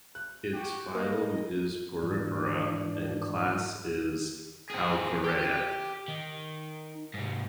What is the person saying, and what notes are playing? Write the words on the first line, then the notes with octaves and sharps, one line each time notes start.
Its Phylum is Porifera and Class is Calcarea.
F#6
F#4 G4
A#3 D#5
G#2 E3 D4
C4 G#4
G4
D#3
G#2 C3